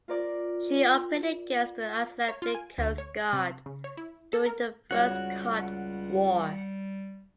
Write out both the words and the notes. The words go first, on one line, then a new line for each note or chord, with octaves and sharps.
She operated against the Icelandic Coast Guard during the First Cod War.
F4 A#4 D5
C#5
F4
G#5
D2
C#5
C3
C#3
C#5
E4
A4
A#4
C#2 G3 F#4 C#5 F#5